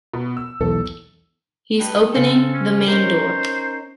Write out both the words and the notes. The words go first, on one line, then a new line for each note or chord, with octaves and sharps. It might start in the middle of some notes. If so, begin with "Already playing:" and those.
He’s opening the main door.
B2
E6
B1 E2 A4
G2 D#3 B4
C#3 C4 A4
C#4
C#4 D#4 A#4 C5